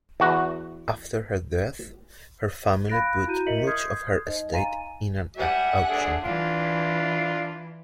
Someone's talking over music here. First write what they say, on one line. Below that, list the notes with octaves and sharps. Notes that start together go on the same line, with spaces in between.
After her death, her family put much of her estate in an auction.
E2 F#4
F5 B5 F#6 A6 A#6 D7
E4 F#4 A#5 G6 D#7
A#4 D#5 E5 B6 C#7 F#7
C6 D#6 F6 G6 G#6 C7
D#4 C5 D#5
F5 G#5 A#5 C6 A6 D#7
G3 E5 F#5 G#5
A3 D4 G#4
E3 D4 F4